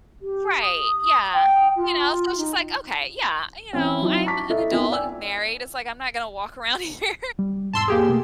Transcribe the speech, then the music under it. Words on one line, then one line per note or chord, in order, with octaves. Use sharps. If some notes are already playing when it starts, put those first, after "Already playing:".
Right, yeah. You know, so it's just like, "Okay, yeah, you know, I'm an adult and married," it's like, "I'm not gonna walk around here
G4
D#6
G5
F4
D#4
E3 C4 C#4
F#3 C4 D#4 E4
A5 A#5 C#6 D6 B6
E4 A4 D#5 E5
B3 C4 D#4 E4 A#4 C#5
D5 G5 G#5 E6
G3
E1 G#2 A5 C6 E6
A#3 G4 G#4
B2 A3